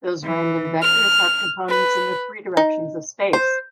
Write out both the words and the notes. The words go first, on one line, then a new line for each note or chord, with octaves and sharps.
Those random vectors have components in the three directions of space.
E3
F6
B4
D#4
C5